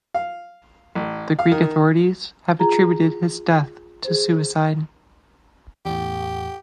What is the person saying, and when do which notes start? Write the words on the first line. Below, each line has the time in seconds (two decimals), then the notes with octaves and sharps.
The Greek authorities have attributed his death to suicide.
0.14 F5
0.95 A1
1.39 F5
1.52 D#3
2.59 F4 G#4 A#5
4.04 G#4 C5
5.85 E2 A2 G4